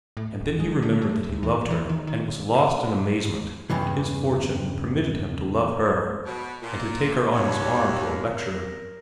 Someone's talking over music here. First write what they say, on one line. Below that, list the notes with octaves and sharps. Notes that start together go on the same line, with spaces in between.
And then he remembered that he loved her and was lost in amazement at his fortune that permitted him to love her and to take her on his arm to a lecture.
A2
D1
G#3
D3
A3
D2
E3
E3
D#3
D#3
E2 G2 C#3 E3
B2
A#2 F4
D#2 C#5
A#4